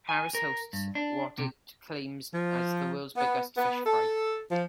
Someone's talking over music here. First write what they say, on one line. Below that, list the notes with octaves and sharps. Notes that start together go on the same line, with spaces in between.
Paris hosts what it claims as the "World's Biggest Fish Fry".
G#5
A#4
G2
D4
C3
F3
B3
B3
A4
F3